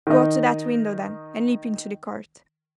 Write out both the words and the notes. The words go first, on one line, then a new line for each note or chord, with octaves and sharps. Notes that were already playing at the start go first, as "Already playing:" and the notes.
Go to that window, then, and leap into the court.'
D#3 D#4